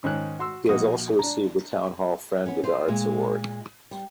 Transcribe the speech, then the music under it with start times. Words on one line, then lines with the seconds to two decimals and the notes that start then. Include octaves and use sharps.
He has also received the Town Hall Friend of the Arts Award.
0.04 G#2 D#3 C#4 F#6
0.39 F#4 C6 E6
0.69 A#1 A#3 F#4 D#5 D#6
1.19 D4 A#5
2.46 B3 C#4
2.63 F4 C5
2.88 A#2 G#3
3.91 G3